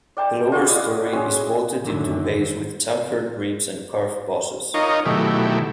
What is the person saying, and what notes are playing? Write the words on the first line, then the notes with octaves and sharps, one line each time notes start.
The lower storey is vaulted in two bays with chamfered ribs and carved bosses.
D5 G5 A5 C6
F4 F#4 G#4
E4 D5 D#5
G#3 C#4 G#5 C6
F#2 D3 D#3
D#4 F4 A#4 C#5 D#5
B2 D#3 F#3 A3 E4 G4